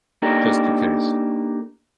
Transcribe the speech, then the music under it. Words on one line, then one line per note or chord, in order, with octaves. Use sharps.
just in case.
A#3 D4 D#4 G4 A4 A#4